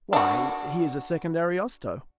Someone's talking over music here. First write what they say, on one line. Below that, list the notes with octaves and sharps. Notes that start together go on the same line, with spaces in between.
"Why, he is a second Ariosto."
D4 F#4